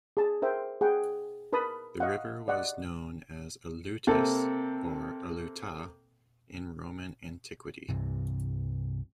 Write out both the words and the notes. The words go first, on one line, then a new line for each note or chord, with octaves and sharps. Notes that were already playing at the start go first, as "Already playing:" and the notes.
The river was known as "Alutus" or "Aluta" in Roman antiquity.
G#4 A5
A#4 C5 E5 G5
G#4 F#5 G5
A#4 B4 A5 B5 D#6
D#5 F5 F#5
D5 D#5 F#5
C3 A#3 C4 A4
C2 G2 C3 E3